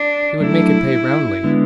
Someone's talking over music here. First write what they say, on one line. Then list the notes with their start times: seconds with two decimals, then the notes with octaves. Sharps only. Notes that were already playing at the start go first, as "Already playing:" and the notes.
He would make it pay roundly.
Already playing: D4
0.41 F#3 A3 D4 E4 A4
1.43 D3 G#3 B3 D4